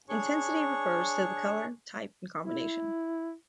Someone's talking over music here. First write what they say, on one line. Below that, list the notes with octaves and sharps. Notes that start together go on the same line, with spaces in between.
Intensity refers to the color type and combination.
D4 G#4 C#5 C#6
E4